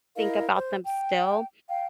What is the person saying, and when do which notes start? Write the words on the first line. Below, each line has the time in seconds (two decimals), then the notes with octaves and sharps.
think about them still,
0.15 E4 A#4 D#5 F5
0.53 C5
0.84 G5
1.67 F5 G5